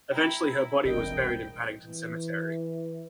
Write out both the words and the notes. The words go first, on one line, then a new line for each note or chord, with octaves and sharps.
Eventually her body was buried in Paddington cemetery.
E4 G5 A#5
E1 C2 F2 D4 A#4 D#5 G5
E3